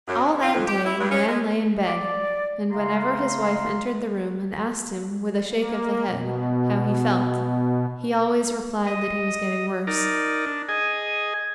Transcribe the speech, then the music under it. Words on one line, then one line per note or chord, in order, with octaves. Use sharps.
All that day the man lay in bed, and whenever his wife entered the room and asked him, with a shake of the head, how he felt, he always replied that he was getting worse.
F#2
C3
F4
F2
G4
E4
G2
C#4
G#3
D5
C#3 A3 E4 F5 A#5 C6
A#3
B2
D#5
D#4 A#4 D5
D4
G#4 D#5 G#5